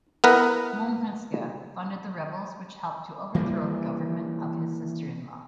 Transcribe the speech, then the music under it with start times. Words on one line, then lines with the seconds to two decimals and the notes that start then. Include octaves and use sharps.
Montpensier funded the rebels, which helped to overthrow the government of his sister-in-law.
0.24 B3 E4 A#4 B4
3.34 E3 G3 A3 A#3